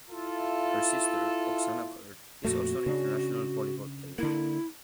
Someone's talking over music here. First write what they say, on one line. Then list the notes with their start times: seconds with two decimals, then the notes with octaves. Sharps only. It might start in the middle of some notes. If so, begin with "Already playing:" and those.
Her sister Oksana Kurt is also an international volleyball player.
0.10 E4 F4 A4
2.45 F2 A#2 A3 F#4
2.86 C#3 C#4 D4
4.18 D3 A#3 E4